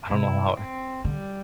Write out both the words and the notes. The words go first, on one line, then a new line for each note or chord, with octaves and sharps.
I don't know how I"
C3 E4
C4
D3 G3